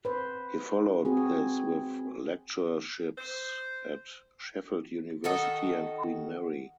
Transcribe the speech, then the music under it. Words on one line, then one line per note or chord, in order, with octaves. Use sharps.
He followed this with lectureships at Sheffield University and Queen Mary.
B4 C5
C4 F#4 G#4
C5
D#3 F#4 A4 D#5